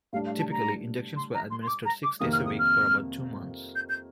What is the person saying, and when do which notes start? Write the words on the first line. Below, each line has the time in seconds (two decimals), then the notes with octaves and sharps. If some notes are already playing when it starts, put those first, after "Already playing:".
Typically, injections were administered six days a week for about two months.
0.13 A2 G3 D4 F5
0.26 F5
0.39 A5
0.51 A#5
1.16 C6
1.34 A#5
1.51 C6
1.62 C6
1.68 D6
1.85 A#5
2.03 D6
2.20 F2 C3 D#3 A#3 D#6
2.33 F6
2.46 D#6
2.59 F6
3.76 G6
3.89 G6